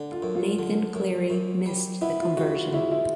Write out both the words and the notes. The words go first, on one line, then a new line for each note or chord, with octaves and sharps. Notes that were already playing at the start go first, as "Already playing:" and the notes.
Nathan Cleary missed the conversion.
Already playing: D3 D4
F4
F#2
F4
D3
F#2
F#2
G3
B3 E4
F4
C#3 F#4
F4
C#2 E4
E4